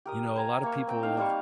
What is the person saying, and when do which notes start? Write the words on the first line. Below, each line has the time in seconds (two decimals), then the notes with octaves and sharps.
you know, a lot of people,
0.05 G4 A#4 D#6
0.36 C5 G#5 A#5
0.63 A#3 C#6
0.87 C4 G5
1.03 D#4 F5
1.17 G3 C5 F5 C#6